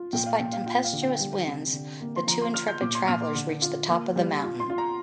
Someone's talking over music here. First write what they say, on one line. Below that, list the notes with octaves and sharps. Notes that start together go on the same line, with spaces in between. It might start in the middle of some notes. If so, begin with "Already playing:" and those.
Despite tempestuous winds, the two intrepid travelers reach the top of the mountain.
Already playing: F4
A#2 G5
F5
A#2 G5
F5
F4 G5
F5
D3
G5
G3
C3
D3
A#3
C6
F3 A#5
C6
F4 F6
G6
A#2 D6
C6
A#2 F6
D6
D3
F4
A#3
G3
F4
C6
F4
A#5